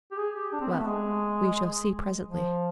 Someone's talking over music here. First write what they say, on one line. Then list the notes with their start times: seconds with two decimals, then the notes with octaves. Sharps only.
Well, we shall see presently.
0.11 G4
0.18 G#4
0.35 G4
0.52 D4
0.61 C4
0.69 B3
0.78 A3
0.87 G#3
2.25 F3